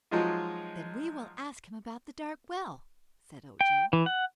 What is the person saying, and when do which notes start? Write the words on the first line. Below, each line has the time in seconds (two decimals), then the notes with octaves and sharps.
"Then we will ask him about the dark well," said Ojo.
0.11 F3 F#3 G#3 D#4 F4
3.61 G5
3.93 E3
4.06 F#5